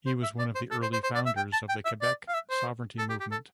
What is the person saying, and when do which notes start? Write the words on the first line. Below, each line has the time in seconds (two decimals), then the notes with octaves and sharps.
He was one of the early founders of the Quebec sovereignty movement.
0.06 C5
0.23 E5
0.39 D5
0.55 C5
0.71 A4
0.82 C5
0.93 C5
1.04 C5
1.15 D5
1.26 E5
1.37 G5
1.53 A5
1.69 G5
1.85 E5
2.02 D5
2.28 F5
2.34 E5
2.50 C5
2.99 A4
3.10 G4
3.20 G4
3.31 A4